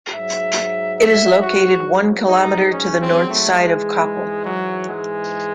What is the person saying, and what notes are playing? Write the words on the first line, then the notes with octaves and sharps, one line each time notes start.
It is located one kilometer to the north side of koppal.
G#2 F#3 E5
E5
F#4
D#4
C#4
C4
A3
G#2 E3 G#3
F#3
G#3